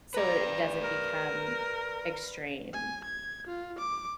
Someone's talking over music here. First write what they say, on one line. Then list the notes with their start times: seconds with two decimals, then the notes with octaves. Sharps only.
so it it doesn't become extreme.
0.14 B4 D5 A#5
0.82 A#4
2.73 G#5
3.05 G#6
3.47 F4
3.79 D6